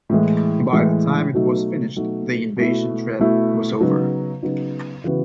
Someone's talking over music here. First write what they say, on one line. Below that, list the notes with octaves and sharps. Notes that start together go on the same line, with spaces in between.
By the time it was finished, the invasion threat was over.
A2 E3 G#3
A2 E3 G#3
B2 F#3 A3 D#4 F#4
B2 F#3 A3 D#4 F#4
B2 A3 E4
B2 A3 E4
C#3 F#3 B3 D#4 F#4
C#3 F#3 B3 D#4 F#4
C#3 E3 B3 F#4